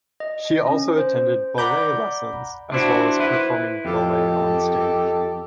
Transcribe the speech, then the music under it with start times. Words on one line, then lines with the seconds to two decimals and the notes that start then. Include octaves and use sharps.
She also attended ballet lessons, as well as performing ballet on stage.
0.20 D#5
0.67 C#4
0.98 C5
1.58 D5 F#5 A#5 B5 D6 G6
2.72 D4 E4 F#4 C5
3.20 E4 B4
3.85 F2 G4 A4 D#5